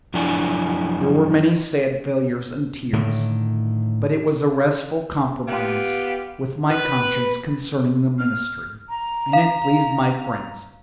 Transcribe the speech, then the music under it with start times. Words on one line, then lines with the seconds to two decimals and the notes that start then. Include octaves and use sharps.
There were many sad failures and tears, but it was a restful compromise with my conscience concerning the ministry, and it pleased my friends.
0.14 F#2 F3 D4 E4 D5 G#5
2.93 A2 D3 D#3
5.47 B3 F4 G4
6.71 B4
8.18 F6
8.89 A#5
9.33 F5